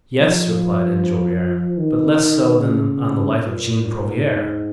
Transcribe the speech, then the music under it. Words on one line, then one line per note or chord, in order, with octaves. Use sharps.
"Yes," replied Enjolras; "but less so than on the life of Jean Prouvaire."
F3
D#3
C#3
A#2
G#2